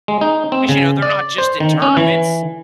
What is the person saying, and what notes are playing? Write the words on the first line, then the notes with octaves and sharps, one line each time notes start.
'cause, you know, they're not just in tournaments.
G#3
D#4
C4
C#3
D5
C5
D#3
C#4
E3